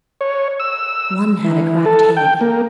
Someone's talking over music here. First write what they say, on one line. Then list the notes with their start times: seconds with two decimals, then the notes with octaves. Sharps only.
One had a cracked head.
0.21 C#5
0.60 E6
1.44 E3
1.86 A4
2.17 G5
2.41 A#3